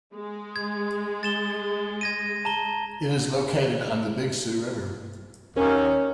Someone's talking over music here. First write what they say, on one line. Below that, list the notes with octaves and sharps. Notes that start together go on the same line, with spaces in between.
It is located on the Big Sioux River.
G#3
G#6
A6 E7 G7
G#6 A#6 D#7
A5 A#5 G7
D#2 C#4 A#4